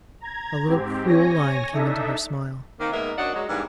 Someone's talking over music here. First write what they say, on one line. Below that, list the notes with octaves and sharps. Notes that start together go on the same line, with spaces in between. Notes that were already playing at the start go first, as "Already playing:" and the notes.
A little cruel line came into her smile.
A#5 G#6
G#2 C4 G4
C#5 G#5 A#6
D4 D#4 A4 E5
D#3 A#3 C4
G#2 A#3 B3 A#4 D#5 E5
F#2 F#3 D4 D#5 F#5
F#3 G#3
G#2 E3 G3 A#3 B3 D4